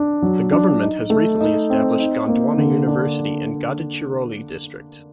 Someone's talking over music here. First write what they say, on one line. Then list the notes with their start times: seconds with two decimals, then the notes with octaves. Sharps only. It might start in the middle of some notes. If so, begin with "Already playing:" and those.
The government has recently established Gondwana University in Gadhchiroli district.
Already playing: D4
0.22 F#3
0.52 D4
0.81 D#4
1.10 A3
1.41 D#4
1.70 C4
1.99 D#4
2.28 A#3
2.58 D3
2.88 D4